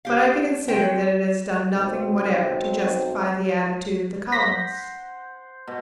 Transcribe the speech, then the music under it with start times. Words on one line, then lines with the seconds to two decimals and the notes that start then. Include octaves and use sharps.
But I consider that it has done nothing whatever to justify the attitude of the colonists.
0.05 G4 F5
0.68 C4 G5
1.73 B1 C4
4.32 C5 F#5 A#6 B6
5.67 B2